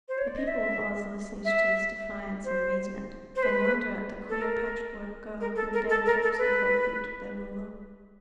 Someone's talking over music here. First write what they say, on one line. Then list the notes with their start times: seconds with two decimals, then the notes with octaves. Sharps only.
The people of Oz listened to this defiance in amazement and wondered at the queer Patchwork Girl who dared talk so boldly to their Ruler.
0.09 C5
0.18 C#5
0.27 D5
0.37 D#5
0.47 E5
1.45 E5
2.45 C5
3.36 C5
3.43 B4
4.29 A4
4.42 A#4
5.40 A#4
5.56 A4
5.73 A#4
5.90 A4
6.06 A#4
6.23 A4
6.38 B4